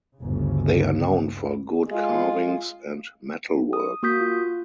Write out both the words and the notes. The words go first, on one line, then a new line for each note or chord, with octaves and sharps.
They are known for good carvings and metalwork.
G1 D2 C#3
G#3 F4
D#6
A#3 F#4 D#6 G6 B6
F4